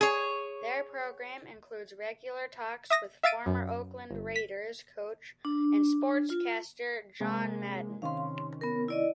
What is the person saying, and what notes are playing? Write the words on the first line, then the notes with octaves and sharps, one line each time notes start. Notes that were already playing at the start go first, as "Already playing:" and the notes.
Their program includes regular talks with former Oakland Raiders coach and sportscaster John Madden.
G#4 C#5
E5 D#6 A#6
E5 F5 E6 A6 D7 D#7
F#2
G1
B6
D4
F4
C3 G#3 A#3
C3 D#3 C#4 F5 C6
C6
B3 A#4
E4 D5 D#5